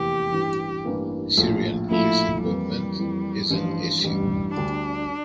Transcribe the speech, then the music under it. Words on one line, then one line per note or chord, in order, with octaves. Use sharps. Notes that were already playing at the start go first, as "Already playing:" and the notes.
Syrian police equipment is an issue.
Already playing: F1 E2 E3 A#3 E4 G4
A1 G2 E3 A#3 E4
A1 G2 E3 A#3 E4
A#1 A2 F3 A3
A#1 A2 F3 A3 E4
F2 E3 G3 A#3 E4
F2 E3 A#3 E4
A1 G2 E3 F3
A1 G2 E3 G3
D2 D3 G3 D4